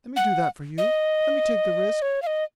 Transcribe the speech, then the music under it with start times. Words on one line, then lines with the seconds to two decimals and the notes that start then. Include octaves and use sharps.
Let me do that for you--let me take the risk.
0.16 F#5
0.78 D#5
2.02 C#5
2.22 F5
2.27 D#5